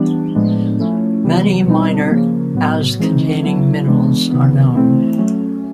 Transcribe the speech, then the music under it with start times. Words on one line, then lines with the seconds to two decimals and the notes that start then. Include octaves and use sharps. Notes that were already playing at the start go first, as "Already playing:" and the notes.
Many minor As-containing minerals are known.
Already playing: E3 G3 B3 D4
0.35 A2 F3 G#3 B3 D4
0.80 F3 A3 C#4 E4
1.24 C3 E3 G3 B3
1.67 B2 G3 C4 D#4
2.11 C#3 F3 A#3
2.54 A2 F#3 B3
2.99 E3 G#3 C4 D#4
3.43 F#3 B3 E4
3.87 E3 G#3 B3 D4
4.31 C3 D#3 F#3 B3
4.75 E3 A3 C4 E4
5.18 F#3 A3 C#4